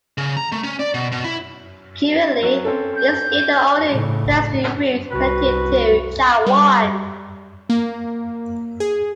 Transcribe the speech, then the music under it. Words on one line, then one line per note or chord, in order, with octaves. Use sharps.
Currently, it is still the only pedestrian route connecting to Chai Wan.
C#3
A#5
A3
C#4
D5
B2
B2
E4
F#3
C4 C#4 A4
G6
A2 C#3
C2 F#4 B4
G3
A#3
G#4